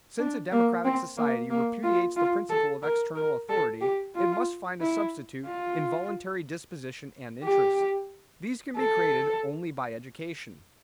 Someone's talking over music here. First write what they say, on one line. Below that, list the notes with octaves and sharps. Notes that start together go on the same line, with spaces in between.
Since a democratic society repudiates the principle of external authority, it must find a substitute in voluntary disposition and interest; these can be created only by education.
D4
A#3
C4
A#3
A#3
F4
F4
A4
A#4
A#4
A4
G4
F4
E4
F4
G4
A4